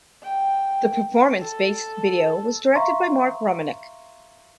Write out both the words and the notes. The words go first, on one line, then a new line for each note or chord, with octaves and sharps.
The performance-based video was directed by Mark Romanek.
G5
A4
E5 F5 A#5 C6 C#6